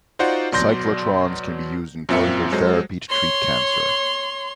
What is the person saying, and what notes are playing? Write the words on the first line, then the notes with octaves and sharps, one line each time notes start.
Cyclotrons can be used in particle therapy to treat cancer.
D#4 F4 F#4 C5 D5 F#5
B2 F#3 D5 C6 G6 A#6
F#2 A#2 C4 F4 E5 C#7
F#3 G#3 A4 C5
C#5 C6